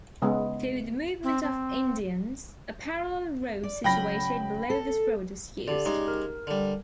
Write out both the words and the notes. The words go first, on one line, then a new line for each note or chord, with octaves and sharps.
For the movement of Indians, a parallel road situated below this road was used.
C#3 G#3 B3
C4
C4
D5
C#3 F#3 G5 B5 A#6
A4
D3 G4 D5
C#3 G#3 D#4 G4
A#4
D3 G3